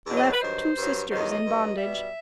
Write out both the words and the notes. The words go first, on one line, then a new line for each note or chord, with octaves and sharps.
Left two sisters in bondage.
E2 B2 F#3
D#5
C5
B4
G2 D#3 F#3 C5
G2 F#3
E2 D#3 F#3 C5
D#5
D#5
G2 F#3
B2 G3 E5